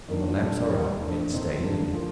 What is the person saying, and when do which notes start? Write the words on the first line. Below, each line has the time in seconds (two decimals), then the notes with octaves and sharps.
When the lamps are out men stay in.
0.08 D#3 A#3 D4
0.39 F2 C3 G3 D4 A4
0.70 D#3 G3 A#3 D#4 A#4
1.00 A#2 A3 D4
1.31 C3 D#3 A3 C4 D#4
1.61 G3 A#3 D4
1.91 D3 F3 A#3 F4